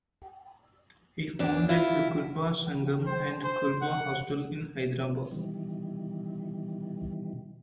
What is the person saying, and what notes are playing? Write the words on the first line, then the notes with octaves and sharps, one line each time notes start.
He founded the "Kuruba Sangham" and the Kuruba hostel in Hyderabad.
E2 D4
E4 F4
C5
C5
F#5
B2 D#3 E3 G3